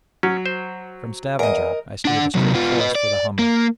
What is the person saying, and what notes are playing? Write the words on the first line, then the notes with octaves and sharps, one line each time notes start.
From Stavanger I steered a straight course for the Humber.
F#3 C#4
C5
E2 A#4 D#5
D4 F#5
C3 F#3
B3 F4
B4 D#5
D5
A#3